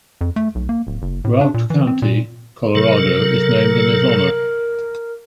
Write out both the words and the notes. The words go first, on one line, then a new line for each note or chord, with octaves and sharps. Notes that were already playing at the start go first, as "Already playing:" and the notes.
Routt County, Colorado is named in his honor.
F2
A3
B1
A#3
D1
F#1
A2
D4
A#2
E3
C4
A#2
C3 F#3 A4 A#4